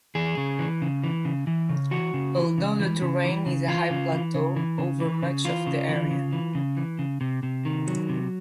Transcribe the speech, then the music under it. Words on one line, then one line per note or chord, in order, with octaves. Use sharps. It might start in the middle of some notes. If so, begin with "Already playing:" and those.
Although the terrain is a high plateau over much of the area.
E3 G#4
C#3
E3
C#3
E3
C#3
E3
C#3
E3 F#4
C#3
E3
C#3
E3
C#3
E3
C#3
E3 F4
C#3
E3
C#3
E3
C#3
E3
C#3
E3 F4
C#3
E3
C#3
E3
C#3
E3
C#3
C3
C3
D#3
F#3
C3